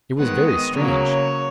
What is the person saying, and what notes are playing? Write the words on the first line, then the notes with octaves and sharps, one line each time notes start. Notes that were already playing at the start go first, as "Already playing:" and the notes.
It was very strange!
D#3 G#3 B3 F#5
D#5
C#3 F#3 A#3 C#5